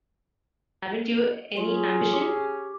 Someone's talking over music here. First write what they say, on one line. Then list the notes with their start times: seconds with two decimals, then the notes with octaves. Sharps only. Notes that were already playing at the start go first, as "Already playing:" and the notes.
Haven't you any ambition?
1.57 F#3 C#4 F4 G#4
2.13 G4